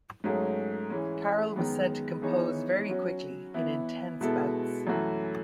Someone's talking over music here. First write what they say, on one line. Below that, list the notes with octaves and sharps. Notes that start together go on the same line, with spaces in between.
Caryll was said to compose very quickly in intense bouts.
G#2 F#3 A3 C#4 G#4
E3 G#3 C#4
F#2 D#3 G#3 B3
E3 B3 D#4 G#4 C#5
F#3 C#4 F#4
E3 B3 E4
B2 G#3 B3 E4 A4
F#2 E3 A3 C#4 F#4